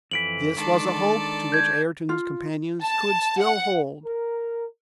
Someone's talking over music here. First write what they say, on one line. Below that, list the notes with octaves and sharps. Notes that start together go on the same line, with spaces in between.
This was a hope, to which Ayrton's companions could still hold.
F2 E3 B6 D7 F#7
D#3 G#3 D4 A4 D5
G6 G#6
F4
A5
F#5
A#4